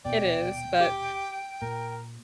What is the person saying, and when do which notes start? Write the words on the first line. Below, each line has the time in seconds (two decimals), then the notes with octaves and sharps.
It is. But
0.05 D#1 B2 D5 G5
0.81 G4
1.62 A#2 A#4